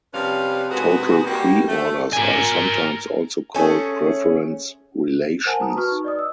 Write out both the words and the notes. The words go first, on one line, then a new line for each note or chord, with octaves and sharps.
Total preorders are sometimes also called preference relations.
C3 F3 G3 C#4 B4 F5
C3 G#3 B3 F#4 G#4 F#5
G3 A#3 F#4 G4
A3
A#4 G#5
A3 C#4 G#4
A#4 C5 F#5 G#5 A5
A5 A#5 D#6
F#4 B4 C#6 F6
D#4
D5 D#5 D#6
E6